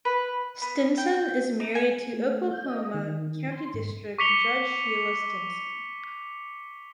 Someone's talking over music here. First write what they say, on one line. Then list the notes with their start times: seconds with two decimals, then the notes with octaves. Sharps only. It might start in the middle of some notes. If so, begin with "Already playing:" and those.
Stinson is married to Oklahoma County District Judge Sheila Stinson.
0.05 B4
0.62 B3
0.98 G5
1.60 D#4
1.75 G#5
2.13 A3
2.51 G6
2.66 D#5
2.79 D#5
2.94 D#3
3.52 C6
3.74 G#2
4.18 C#6 D6 B6 C#7 F7 G7